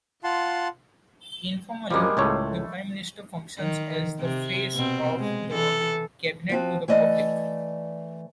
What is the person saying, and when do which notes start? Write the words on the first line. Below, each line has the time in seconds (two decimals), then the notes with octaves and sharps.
Informally the Prime Minister functions as the "face" of the cabinet to the public.
0.24 F4 F#5 A5 C6
1.90 F#2 F3 G3 G#3 A#3
2.17 C#2 A2 A3 C#5
3.58 D#3
4.20 C3
4.75 B2 C4
5.20 G#3
5.52 E3 A4
6.49 F3 C4 F#4
6.88 E3 A3 D5 D#5